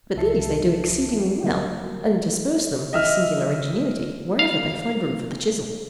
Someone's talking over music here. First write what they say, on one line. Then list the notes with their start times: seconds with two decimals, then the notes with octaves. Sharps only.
But these they do exceedingly well, and intersperse them, with singular ingenuity, wherever they find room for the chisel.
0.16 C2 F3 E5 A5 C7 C#7
1.44 D3 F#3 G3 A#3 F#4 A#4
2.93 D#5 E5 F6
4.39 F5